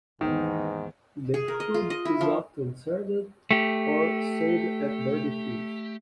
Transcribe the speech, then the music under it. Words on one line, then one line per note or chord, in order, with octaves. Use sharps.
The food is often served or sold at barbecues.
D#2 G#2 D#3 E3 B3 D#4
G#4
A#4
D#5
F4
D#5
E4
F3
A3 G4